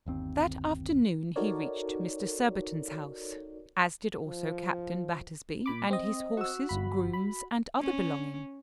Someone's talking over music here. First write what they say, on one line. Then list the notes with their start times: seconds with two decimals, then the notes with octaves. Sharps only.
That afternoon he reached Mr. Surbiton's house, as did also Captain Battersby, and his horses, grooms, and other belongings.
0.06 G1 D#2 C4
1.36 D#4 F#4 A4 A#4 C#5 D5
4.27 F3
5.66 A#2 B5 D6
5.91 C4 D#5
6.37 F#4 E6
6.69 G1 B5
7.13 B5
7.80 C#4